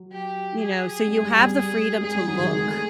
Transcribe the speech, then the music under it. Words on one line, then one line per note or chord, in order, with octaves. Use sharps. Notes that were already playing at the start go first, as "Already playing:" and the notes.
you know, so you have the freedom to look,
Already playing: F#3
G4
G#4
G3
G3
G3
G#4
G#3 G#4
G3
F#3
D#3
G#3
A3